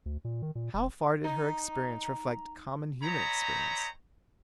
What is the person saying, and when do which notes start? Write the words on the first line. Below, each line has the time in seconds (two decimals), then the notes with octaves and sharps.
How far did her experience reflect common human experience?
0.06 D2
0.25 A#2
0.42 D#3
0.55 A#2
0.74 E1
1.24 D#4 A#5
3.02 C4 D#4 C#5 D#5 A#5 B5